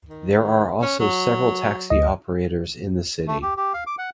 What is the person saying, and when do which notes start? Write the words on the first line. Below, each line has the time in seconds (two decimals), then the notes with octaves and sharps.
There are also several taxi operators in the city.
0.09 D#3
0.82 C#4
1.00 F#3
1.90 D2 D#5
3.27 A3
3.42 G4
3.57 G4
3.74 F5
3.87 D6
3.98 F#5